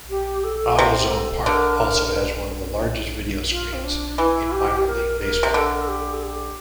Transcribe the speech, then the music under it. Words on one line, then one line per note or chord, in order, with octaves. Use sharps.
AutoZone Park also has one of the largest video screens in minor league baseball.
G4
A4
C3 G4
A#4
A4
D3 A#4
A#4
F4
C4
D4
E3 E4
G4
A#4
A#4
C3
D3 A4
A#4
A4
G4
A4
G4